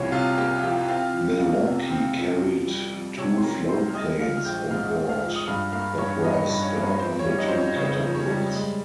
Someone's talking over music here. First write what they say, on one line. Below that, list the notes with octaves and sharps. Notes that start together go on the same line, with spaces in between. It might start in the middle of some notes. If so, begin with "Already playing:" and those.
"Milwaukee" carried two floatplanes aboard that were stored on the two catapults.
Already playing: C2 F3 A#3 C#4 C#5
C3 F4 F5
A#3 G4 G5
F3 G4 G5
C4 F4 F5
F3
F2
C3
C4
F3
F2
G3
F2
C3 C#5 C#6
C6
F2 A#4 A#5
G3 C5 C6
F6
G#3 D#5 D#6
F3 F5 F6
F6
A#1 G5 G6
G#2 F5 F6
G#3
F5 F6
F3
D#6
G2 F5 F6
A#3 F5 F6
G2 C#5 C#6
G3 D#4 D#5
G2
C#4 C#5
A#3
F2 C5
C#4 C#5
G3
D#4 D#5
F2 C5
C#4 C#5
C#3 C#4 C#5
F2
C#4 C#5
G3
G#3